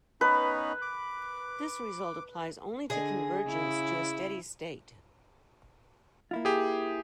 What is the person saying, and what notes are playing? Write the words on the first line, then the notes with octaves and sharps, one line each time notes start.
This result applies only to convergence to a steady state.
B3 C#4 D#4 B4
D6
D3 G#4 D#5
C#3 E4
A#3 E4 F4
G4 G#4